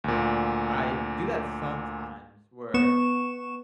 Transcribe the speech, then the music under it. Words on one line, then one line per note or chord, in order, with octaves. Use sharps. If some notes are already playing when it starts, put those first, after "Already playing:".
I do that sometimes where
D2 A#2
B3 C#6 E7